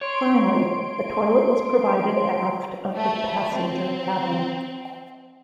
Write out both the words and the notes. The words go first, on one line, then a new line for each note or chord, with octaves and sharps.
Finally, a toilet was provided aft of the passenger cabin.
C#5 C6 D7
A3
C4